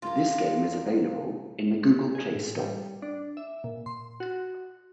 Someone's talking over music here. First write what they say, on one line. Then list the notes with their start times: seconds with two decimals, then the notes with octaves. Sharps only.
This game is available in the Google Play Store.
0.02 A#3 F4
2.15 G#4
2.36 A2
2.59 G3
3.02 D4
3.37 E5
3.64 A#2
3.86 C6
4.20 F#4